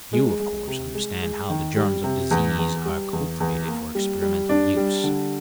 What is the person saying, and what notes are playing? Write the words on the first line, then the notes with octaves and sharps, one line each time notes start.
You, of course, understand how the germs of disease are cultivated for experimental use.
G#3
G#3
C3
G#3
G#3
D#3
G3
C3
E2
E2
G3
E2
E2
A#3
G3
G3
D4
G3
D3